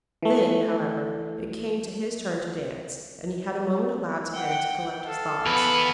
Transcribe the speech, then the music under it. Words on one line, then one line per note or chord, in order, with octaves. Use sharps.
Then, however, it came to his turn to dance, and he had a moment allowed to him to collect his thoughts.
E3 A3
F#5 G5
A4 F5
E2 B4